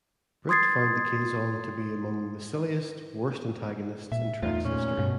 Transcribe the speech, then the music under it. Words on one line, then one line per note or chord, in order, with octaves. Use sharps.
Britt found the Kazon to be among "the silliest, worst antagonists in Trek's history".
C6 D#6 G#6 A6 C7
A#2 E5
E2 A3 D#4 F4
A#2 C#4
G2 B2